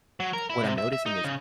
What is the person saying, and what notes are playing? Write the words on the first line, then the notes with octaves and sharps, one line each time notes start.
what I'm noticing is,
F#3
A#4
E4
C3
E5
E5
D#4
C#3